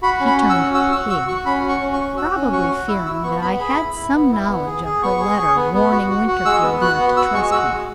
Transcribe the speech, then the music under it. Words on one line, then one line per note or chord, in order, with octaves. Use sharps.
She turned pale--probably fearing that I had some knowledge of her letter warning Winterfield not to trust me.
F#4 B5
C#4
B5
F#4
E6
C#4
F#4 E6
F#4 E6
F#4 E6
F#4 C#6
C#4 B5
F#4
C#6
C#4
C#6
F#4
F#4 E6
C#4
F#4 C#6
F#4
E4 E6
E4 E6
B3 C#6
B3 B5
G#4 B5
E4
E4
B3
E4
B3
G#4
G#4
B3 C#6
G#4
G#4
B3
B3
F#4
F#4
F#4
G#3 E6
B3
F#4 F#6
B3
F#4 E6
G#3 C#6
F#4 E6
G#3